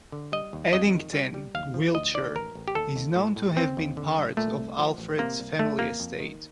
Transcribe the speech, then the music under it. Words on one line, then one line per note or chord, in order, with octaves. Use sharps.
Edington, Wiltshire, is known to have been part of Alfred's family estate.
D3
G3 D#5
D#2
F2 D#5
D#3
G3
G3
D#2 F5
F3
D2 D#5
D#3 D5
A1 A#4
A1
G4
D#2 A4
D#2
A2
A2
D#2 C4
D#2
D3
G2
A#2 A3
C2
F3
A1
C3 A#3
C2
G1 A3
F2 A#3
F2
D#3